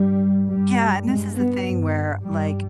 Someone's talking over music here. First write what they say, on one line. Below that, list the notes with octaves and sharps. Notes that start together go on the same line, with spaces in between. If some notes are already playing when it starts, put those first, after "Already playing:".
Yeah, and this is the thing where, like,
Already playing: G2 G3
G2 G3
G2 G#3
B3
G2
G2 G3